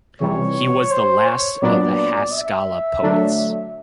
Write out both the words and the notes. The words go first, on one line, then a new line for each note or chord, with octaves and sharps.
He was the last of the Haskala poets.
C#2 C3 E3 G3 C#5
C5
C#5
A#2 F#3 B3 D4 D5
E5
D3 F#3 A3 D4